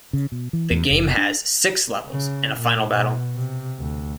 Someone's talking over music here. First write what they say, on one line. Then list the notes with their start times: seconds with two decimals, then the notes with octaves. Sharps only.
The game has six levels and a final battle.
0.13 C#3
0.32 B2
0.53 E3
0.71 E2
0.90 F1
1.17 D4
2.09 C#3
2.58 A#2
2.90 B2
3.36 C3
3.80 D2